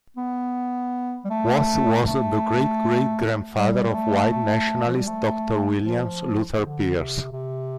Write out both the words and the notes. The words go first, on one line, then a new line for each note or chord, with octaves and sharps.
Watts was the great-great-grandfather of white nationalist Doctor William Luther Pierce.
B3
G3
A3
A3
G3
G3
A3
A3
F3
G3
A3
F3
D3
C3
C3